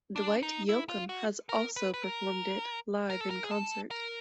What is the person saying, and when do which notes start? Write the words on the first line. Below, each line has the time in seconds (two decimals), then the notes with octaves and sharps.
Dwight Yoakam has also performed it live in concert.
0.16 D4
0.43 D#4
0.69 E4
0.89 F4
1.09 F#4
1.49 A#4
1.76 B4
1.94 B4
2.04 A#4
3.10 A#4
3.21 A4
3.30 A#4
3.44 G#4
3.51 A4
3.91 A#4